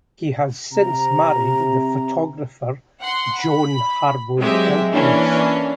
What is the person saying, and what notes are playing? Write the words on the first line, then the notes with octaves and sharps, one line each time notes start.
He has since married the photographer Joan Harwood Elkins.
C3 A#5
F#5 C6
B5
F#3 G#3 C4 G4 E5
E3 A#3 C#4 D4